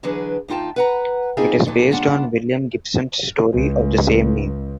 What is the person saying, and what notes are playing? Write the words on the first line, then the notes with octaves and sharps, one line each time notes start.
It is based on William Gibson's story of the same name.
D3 E3 F#3 D4 G#4 B4
D2 D#4 F4 G5 A5
B4 F#5 A#5
G3 A#3 C4 D#4 F4 G#4
D#2 A#2 F#3 D#4 A4
G3 A#3 C#4 D4 F4 F#5
C#2